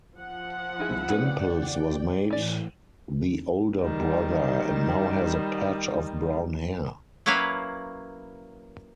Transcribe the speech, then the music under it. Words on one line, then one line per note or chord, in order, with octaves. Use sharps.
Dimples was made the older brother and now has a patch of Brown Hair.
F3 F#5
D#4 E4 G#4 B5 E6 F#6
C#4 G#4 B4 D5 G5
A2 E3 C#4 D5
D#3 G3
F#3 A#3 C#4 E4 B4 F5